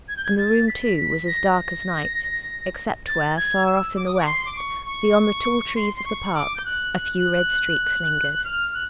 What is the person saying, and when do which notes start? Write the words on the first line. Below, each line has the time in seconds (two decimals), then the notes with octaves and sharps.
And the room, too, was as dark as night, except where far off in the west, beyond the tall trees of the park, a few red streaks lingered.
0.08 G#6
0.17 G6
0.25 G#6
0.38 A6
0.68 B6
0.98 B6
1.27 A#6
3.07 A6
3.37 G#6
3.66 E6
3.96 D6
4.06 D#6
4.15 D6
4.20 C#6
4.26 C6
4.46 D6
4.56 C#6
4.86 C#6
5.76 C6
5.96 C6
6.05 C#6
6.35 D6
6.56 G6
6.65 F#6
8.44 F6
8.74 F#6